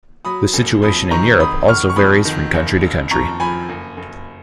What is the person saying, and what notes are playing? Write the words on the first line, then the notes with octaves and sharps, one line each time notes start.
The situation in Europe also varies from country to country.
F#3 B5 D#6
F#1
F2 B5 D#6
D#3 A#5 C#6
F1 B5 D#6
F1 C#6 F6
C#6
F2 B5 D#6
D#3
F#1
F#1
F2 A#5 C#6
F3 G#5 B5
F#1
F#1